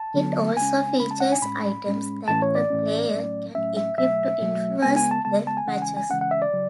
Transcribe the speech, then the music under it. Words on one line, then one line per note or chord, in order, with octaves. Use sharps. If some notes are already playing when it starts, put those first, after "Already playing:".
It also features items that a player can equip to influence the matches.
Already playing: A5
D3 F#3 B3
C#3 G#3 C#4 G#5
C#3 G#3 C#4 B5
A5
F#5
G#5
A2 G#3 C#4 B5
A2 G#3 C#4
A2 E3 A3 C#4 A5
C#5
D5
A2 E3 A3 C#4
A2 F#3 A3 C#4
A2 F#3 A3 C#4 E5
E5
B2 F#3 A3 E5
B2 F#3 A3
C#3 G#3 B3 G#5
G#5
A5
C#3 G#3 B3 A5
A5
G#5
C#3 E3 G#3 C#4 F#5
G#5
G#5
C#3 E3 G#3 C#4 F#5
F#5
E5
D5
C#3 F#3